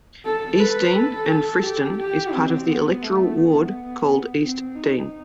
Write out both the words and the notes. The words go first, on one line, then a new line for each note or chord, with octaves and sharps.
Eastdean and Friston is part of the electoral ward called East Dean.
A4
B4
A4
A4
G4
G4
C4
B3
A3
B3
C4
D#4